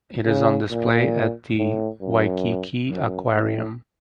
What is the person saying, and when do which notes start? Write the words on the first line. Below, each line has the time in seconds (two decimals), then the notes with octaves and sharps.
It is on display at the Waikiki Aquarium.
0.26 C#3
0.70 A#2
1.58 A2
2.02 F#2
2.90 F#2
3.34 A2